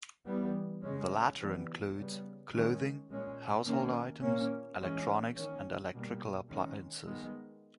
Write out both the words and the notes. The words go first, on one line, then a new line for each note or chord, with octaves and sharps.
The latter includes: clothing, household items, electronics and electrical appliances.
E3 G3 B3
C#3 G#3 C#4
E3 G3 B3
C#3 G3 B3
D#3 G#3 C#4
A#2 G#3 C#4
D#3 A#3 C#4
A#2 A#3 C#4
E3 G#3 C#4
D#3 A#3 C#4
B2 G3 A#3
D#3 G#3 C#4
D#3 G#3 B3